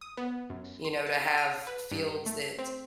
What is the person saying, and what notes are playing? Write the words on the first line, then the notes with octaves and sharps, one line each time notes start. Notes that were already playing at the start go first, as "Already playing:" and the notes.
you know, to have fields that
D#6
B3
F#2
C6
A5
F6
B4
G2
A3
C4